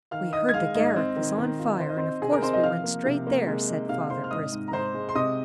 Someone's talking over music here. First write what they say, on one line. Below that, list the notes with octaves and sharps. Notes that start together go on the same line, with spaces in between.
We heard the Garrick was on fire, and of course we went straight there,' said father, briskly.
D#3 F5 F6
D#4 D#5 D#6
G#6
G#3 F5 F6
G#2 D#4 D#5
C4
D#3
D#3
F4
D#4 C5
D#5
C4 D#4 C5
C3 G#4
A#4
C4 D#4 C5
D#4 D#5
F3 F5 F6
A#3
C3
A#3
G#3
D#4
C3 F5 F6
C3 C5 C6
F6
G#2 D#5 D#6
G#2
A#5
G#2 C5 C6
G#3
C6
C3 D#5 D#6